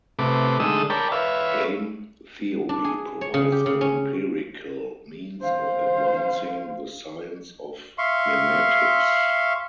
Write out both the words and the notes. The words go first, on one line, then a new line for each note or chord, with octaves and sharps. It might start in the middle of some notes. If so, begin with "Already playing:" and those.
Game theory provides an empirical means of advancing the science of memetics.
C3 A3 B4 D6
D3 G#3 A3 D#4 D#6 E6
A#4 C#5 D5 G5 A5 B5
B4 C#5 E5 F5
D4
G#4
C#5
C#3
G4
C#3
C#4
C5 F5
E5 F5 C6 C#6